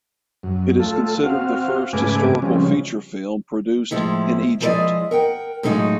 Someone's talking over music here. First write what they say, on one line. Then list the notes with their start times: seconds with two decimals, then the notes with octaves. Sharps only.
It is considered the first historical feature film produced in Egypt.
0.43 F#2
0.79 A3 F4 A4
1.24 C4 F#4 F5
1.93 G#2 C#3 A3 B4 G#5 D6
2.42 C#3 F3 G3 G#3 C4 C#4
3.91 A2 F3 G#3 E4
4.60 F3 G#3 E4 A#4 D5 D#5
5.11 A#4 F#5 G5
5.63 A2 F#3 G#3 D#4 F4 F#4